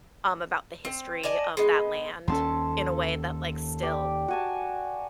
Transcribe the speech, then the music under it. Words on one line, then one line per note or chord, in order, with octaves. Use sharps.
um, about the history of that land in a way that, like, still
C4
D5 D#5 G#5 A5
G#3 B3 D#4
D#2 A#3 C#4 A4 A5 C6
G4 D5
F#4 G#5 A5